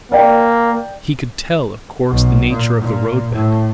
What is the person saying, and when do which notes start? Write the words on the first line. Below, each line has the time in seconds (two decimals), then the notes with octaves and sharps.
He could tell, of course, the nature of the roadbed.
0.12 A#3 D5 G5
2.10 B1
2.49 A#2
2.81 A#2
3.33 A2